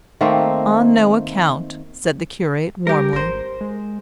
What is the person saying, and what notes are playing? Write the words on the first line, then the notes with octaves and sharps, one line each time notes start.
"On no account," said the curate, warmly.
D#3 A3 A#3 C4
G3 G4 A#4
G#1 A#4 C5
G#3